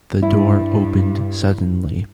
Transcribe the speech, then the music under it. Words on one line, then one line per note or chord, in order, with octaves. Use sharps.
The door opened suddenly.
G2 E4